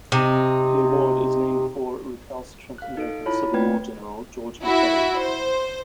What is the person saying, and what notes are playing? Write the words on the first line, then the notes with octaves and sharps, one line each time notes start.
The award is named for recalcitrant American Civil War general George McClellan.
C3 D#4
F5 F#6
D#4 A4 D7
E4 F4 C#5 A5 B5
A3 C4 B4 G5 G#6
E4 F#4 E5
C5